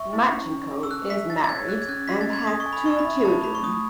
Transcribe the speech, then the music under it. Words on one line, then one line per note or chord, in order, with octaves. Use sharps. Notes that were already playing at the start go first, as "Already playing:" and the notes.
Marchenko is married and has two children.
Already playing: E5 C#6
E4
C#4
C#4
G#4
E6
A4 F#6
E5 B6
D#4 A6
A6
C#5 G#6
G#4 F#6
G#6
C#4 F#6
C#4 B6
A6
D#5
G#6
A4 D#6
C#6
G#5
B5
D#4 C#6
B5
E5
B5
E4 A5
A3 B5
C#6
A3 D#6